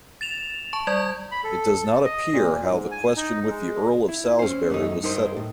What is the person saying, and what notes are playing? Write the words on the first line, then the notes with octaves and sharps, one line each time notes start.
It does not appear how the question with the Earl of Salisbury was settled.
A6 E7 F7
A5 C#6
G3 D5 G#6
B5
A4
D#5
A#2
G#2
G#5
D#4
G#3
E4
C#4 C5
F#2 A3 D#4
G2 D#4 A#4 C5
A2